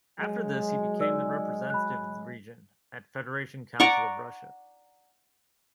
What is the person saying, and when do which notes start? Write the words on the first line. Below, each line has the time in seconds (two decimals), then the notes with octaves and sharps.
After this he became the representative of the region at Federation Council of Russia.
0.20 F#3 G#3
1.00 D#4 D5 E6
1.70 B5 F#6
3.80 D5 F#5 A#5 C#6